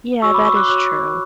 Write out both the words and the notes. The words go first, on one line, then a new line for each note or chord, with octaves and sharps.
Yeah, that is true.
F#4 C#5 C#6 E6
B5 D6
C#6 E6
D6 F#6
F#4 C#5 D6 F#6